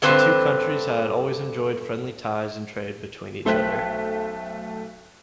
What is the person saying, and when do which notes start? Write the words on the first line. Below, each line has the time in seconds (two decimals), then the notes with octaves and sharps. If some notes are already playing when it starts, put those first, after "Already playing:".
The two countries had always enjoyed friendly ties and trade between each other.
0.02 G2 D3 C4 B4 C5
3.45 B1 A3 C5 G5 F#6 B6